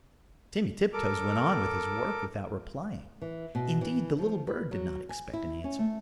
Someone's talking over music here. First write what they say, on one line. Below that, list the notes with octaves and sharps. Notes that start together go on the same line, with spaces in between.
Timmy Tiptoes went on with his work without replying; indeed, the little bird did not expect an answer.
A4 A#4 D6
E3
B2
E3
F3
B4
F#3
G#5
E4
C#4
A3